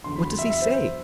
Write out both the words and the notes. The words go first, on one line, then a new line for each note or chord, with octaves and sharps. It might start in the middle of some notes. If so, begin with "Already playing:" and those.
What does he say?
E2 D3 F#3 C6
B5
C6
E5
E5
C5